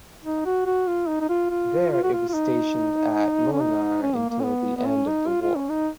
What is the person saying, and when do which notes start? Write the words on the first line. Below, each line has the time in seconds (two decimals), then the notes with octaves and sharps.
There it was stationed at Mullingar until the end of the war.
0.24 D#4
0.45 F#4
0.66 F#4
0.87 F4
1.08 D#4
1.21 D#4
1.29 F4
1.50 F4
1.92 F4
2.03 F#4
2.13 F4
2.29 F4
2.34 D#4
3.52 C#4
3.60 D#4
4.02 C#4
4.15 A#3
4.30 A#3
4.40 C#4
4.44 B3
4.77 B3
4.86 C#4
5.07 D#4
5.28 F4
5.42 F4
5.56 C#4
5.69 D#4